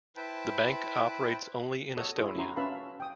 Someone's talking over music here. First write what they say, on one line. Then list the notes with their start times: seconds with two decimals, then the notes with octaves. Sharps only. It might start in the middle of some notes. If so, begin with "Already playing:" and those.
The bank operates only in Estonia.
0.16 E4 B4 C5 G5 A5 B5
1.97 F#4 A4 C#5 D#5 D#6
2.18 E4 G#4 C6
2.36 C#4 E4 F#4 A#5 C6
2.56 C#4 B4 E5 F5 A5 B5
2.72 F5
3.00 G5 D#6